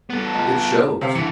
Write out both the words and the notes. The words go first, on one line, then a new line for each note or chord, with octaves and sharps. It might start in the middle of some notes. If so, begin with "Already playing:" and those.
It shows.
B3 A4
C#2
C3 F5
D3 E3 C#7